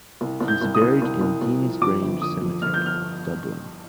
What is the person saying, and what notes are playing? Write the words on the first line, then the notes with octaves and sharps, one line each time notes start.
He is buried in Deansgrange Cemetery, Dublin.
C2
C2
G6
C2
D#6
C2
C2
C2
C2
F3
F2 D6
G1
G1 D#6
F2
G1 F6
G6
F6